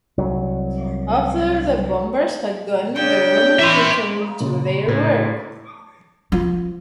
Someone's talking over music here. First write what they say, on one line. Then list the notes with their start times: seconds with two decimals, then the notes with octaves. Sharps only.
After the bombers had gone, the women returned to their work.
0.17 C2 F#3
2.96 C#3 D4 G5
3.59 E3 C#4 E5 C6
4.40 A#2 C#3
4.88 A2
6.32 F3